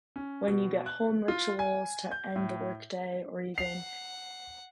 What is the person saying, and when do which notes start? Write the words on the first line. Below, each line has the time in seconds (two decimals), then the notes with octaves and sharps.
when-you-get-home rituals to end the workday or even
0.16 C#4
0.47 B2
0.86 F#6
1.28 F4
1.59 G#5
2.11 G6
2.36 A2
3.58 F#5 C7 F7